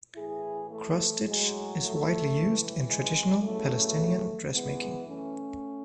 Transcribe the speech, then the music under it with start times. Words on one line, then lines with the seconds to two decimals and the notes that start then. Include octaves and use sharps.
Cross stitch is widely used in traditional Palestinian dressmaking.
0.15 A2 E3 E4 G#4
0.70 A3
1.25 A2 F#3 G#3
1.79 A3
2.33 A2 E3
2.88 G#3
3.43 E2 C#3 F#3 A3
4.52 F#2 E3 G#3 B3
5.06 A3 C#4